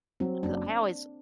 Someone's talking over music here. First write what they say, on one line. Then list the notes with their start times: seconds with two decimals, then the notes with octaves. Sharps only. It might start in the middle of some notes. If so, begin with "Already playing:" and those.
because I always
0.20 F#3 C4
0.43 F#1 D4